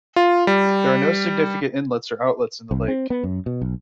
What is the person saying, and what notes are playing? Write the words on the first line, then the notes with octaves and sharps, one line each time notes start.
There are no significant inlets or outlets in the lake.
F4
G3
C2
C4
B3
F#2
B2
B1